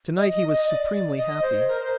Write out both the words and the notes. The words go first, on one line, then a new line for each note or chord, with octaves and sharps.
To-night he was supremely happy.
D#5
D#5
D#5
D5
D#5
C5
A#4
C5